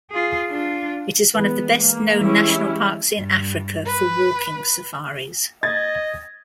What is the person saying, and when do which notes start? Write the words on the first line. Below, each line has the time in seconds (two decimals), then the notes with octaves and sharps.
It is one of the best-known national parks in Africa for walking safaris.
0.11 F4 G#4
0.49 D4 F4
1.35 E3 G#3 B3 B4
1.82 A#3
2.21 E3 G3 G#3 C#4 E4 G4
3.16 G2
3.86 B4
5.63 D#5 G#6 A6